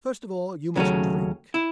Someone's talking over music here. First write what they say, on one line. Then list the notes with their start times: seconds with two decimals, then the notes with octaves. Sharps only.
"First of all you must drink!"
0.75 D#2 C#3 F#3 A3 C#4
1.54 E4